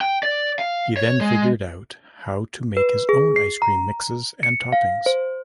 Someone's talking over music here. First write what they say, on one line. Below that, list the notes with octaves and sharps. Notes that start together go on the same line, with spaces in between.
He then figured out how to make his own ice cream mixes and toppings.
G5
D5
F5
C#5
G#3
B4
G#4
C7
A#5
C#7
F5
C5